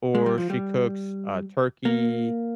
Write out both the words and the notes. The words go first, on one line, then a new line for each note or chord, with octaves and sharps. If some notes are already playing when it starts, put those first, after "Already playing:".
or she cooks, uh, turkey,
G#3
G3
F3
G3
A#3